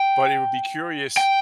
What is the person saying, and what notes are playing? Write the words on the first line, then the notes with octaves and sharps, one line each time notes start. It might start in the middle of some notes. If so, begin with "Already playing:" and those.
but it would be curious
Already playing: G5
G5